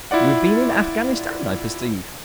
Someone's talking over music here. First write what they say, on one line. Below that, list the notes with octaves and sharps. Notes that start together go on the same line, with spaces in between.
"You have been in Afghanistan, I perceive."
E4 F4 D5 F#5